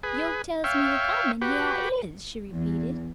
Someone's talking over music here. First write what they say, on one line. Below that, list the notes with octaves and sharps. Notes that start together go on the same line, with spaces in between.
"Yo' tells me to come, an' here I is," she repeated.
G#4 B4
C#5 E5 F5 G5
F#4 G4 B4
E2